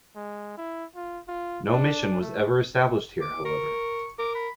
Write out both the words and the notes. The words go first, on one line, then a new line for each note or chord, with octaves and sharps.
No mission was ever established here, however.
G#3
E4
F4
F4
D4
A3
D6
A#4 C#6
A#4 D6
B5